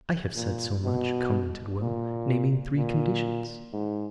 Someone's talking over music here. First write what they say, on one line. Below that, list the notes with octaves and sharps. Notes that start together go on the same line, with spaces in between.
"I have said so much," commented Will, "naming three conditions."
A#2
B2
A#2
A#2
G#2